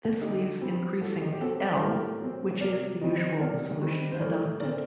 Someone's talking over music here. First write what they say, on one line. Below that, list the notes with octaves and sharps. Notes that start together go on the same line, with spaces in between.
This leaves increasing "L" which is the usual solution adopted.
D3 D#4 G4
G3 C4
A2 F#4 A4
D#4 G4
G4
F#3 C4 F#4 A4
C5
A2 G4 A#4
F#3 C4
C3 A#4 D5
D#3 G3 C4 D#5
C5 D#5
C3 A#4 D5
D#3 G3 C4
C5
A2 A#4 D5
A3 C4 A#4 D5